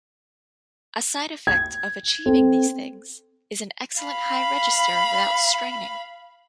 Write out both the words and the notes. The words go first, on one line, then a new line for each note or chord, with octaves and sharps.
A side effect of achieving these things is an excellent high register without straining.
G#6
C4 A4
F5 B5